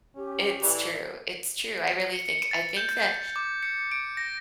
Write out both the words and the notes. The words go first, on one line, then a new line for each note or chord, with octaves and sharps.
It's true, it's true. I really think I think that
C#4 G4
A2 E3 D5
C#7
C#7
A6
G6
D6
C#7
D7
A#6